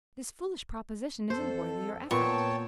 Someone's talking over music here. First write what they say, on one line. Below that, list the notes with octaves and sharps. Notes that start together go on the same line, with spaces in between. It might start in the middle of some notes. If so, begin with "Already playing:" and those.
This foolish proposition isn't worthy your effort.
F2 A4 C5
A#2 B3 C#5 G5 A5 C#6